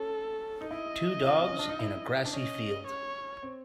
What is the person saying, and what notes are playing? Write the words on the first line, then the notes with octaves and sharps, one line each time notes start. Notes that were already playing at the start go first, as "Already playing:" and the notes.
Two dogs in a grassy field.
Already playing: C#4 A4
D#4
E4 D#5
F4
C4
C#4
D4
D#4
E4
D4
C#4 D#5
C#5
C4